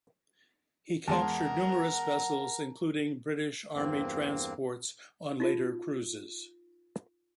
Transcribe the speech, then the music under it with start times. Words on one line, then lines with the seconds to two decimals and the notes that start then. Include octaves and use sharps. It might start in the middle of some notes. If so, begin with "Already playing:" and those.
He captured numerous vessels including British army transports on later cruises.
1.08 E2 G#3 A#4 F#5 A5 C6
3.75 E2 G2 A#3 C4
5.40 D#4 F4